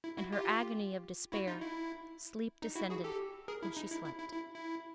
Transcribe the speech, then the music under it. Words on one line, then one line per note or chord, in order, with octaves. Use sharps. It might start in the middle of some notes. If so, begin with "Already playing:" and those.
In her agony of despair, sleep descended, and she slept.
E4
E4 F#4
F4 G4
E4 F#4
D#4 F4
E4
D#4
E4 F#4
F#4 G#4
G4 A4
G#4 A#4
E4
D#4
E4
E4
E4
E4
E4